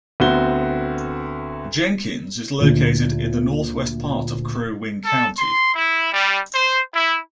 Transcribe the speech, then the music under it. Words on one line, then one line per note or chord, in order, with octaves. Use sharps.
Jenkins is located in the northwest part of Crow Wing County.
D2 B3 C4 F#4 G7
D2 A#2
A4
C6
E4
G3
C5
E4